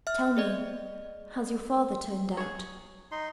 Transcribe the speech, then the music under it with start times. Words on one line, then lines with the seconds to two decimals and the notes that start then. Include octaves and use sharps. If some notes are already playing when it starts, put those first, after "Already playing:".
Tell me, has your father turned out?'
0.07 E5 F6
0.37 G#4 D5 D#5
2.37 G#4 C#5
3.11 D#4 C6